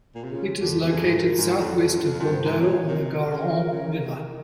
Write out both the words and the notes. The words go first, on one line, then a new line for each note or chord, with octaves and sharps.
It is located southwest of Bordeaux on the Garonne river.
A#2
C3
C#3 F4
F2 G4
E2
F2 G#4
G#2
G2 A#4
G#2
E4
F2
F4
F2
G2
F2 F4
F2
G2
C5
G#2
C3 C#5
A#2
C3 A#4
C#3
C#3
C3